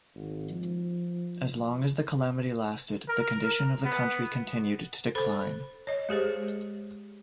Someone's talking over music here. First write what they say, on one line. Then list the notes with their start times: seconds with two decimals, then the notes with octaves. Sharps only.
As long as the calamity lasted, the condition of the country continued to decline.
0.15 G#1
0.50 F3
3.08 A#4
3.85 B3
5.15 A4 C5 B5
5.87 C#5 D#5
6.09 G#3 G4 G#4 C5